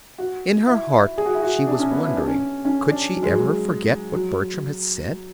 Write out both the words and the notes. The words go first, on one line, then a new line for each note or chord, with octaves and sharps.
In her heart she was wondering: could she ever forget what Bertram had said?
F#4
E4
G#4
F#4
E4
F#4
D4
C#4
B3
E4
D4
C#4
C#4
D4
F#3
G#3
F#3
F#3